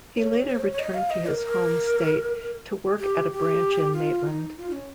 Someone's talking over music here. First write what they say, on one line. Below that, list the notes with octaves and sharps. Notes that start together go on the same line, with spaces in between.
He later returned to his home state to work at a branch in Maitland.
C#5
C#5
C5
C#5
C#5
D#5
F5
D#5
A#4
G4
G4
F4
D#4
F4
D#4
C#4